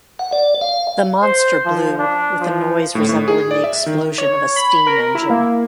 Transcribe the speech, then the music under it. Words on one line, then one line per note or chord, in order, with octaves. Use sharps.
The monster blew, with a noise resembling the explosion of a steam-engine.
F#5
D5
F5
C5
F3
D4
F3
A2
A2
G#4
D5
E5
D#3
C#5
B5
A#4
E4
A#3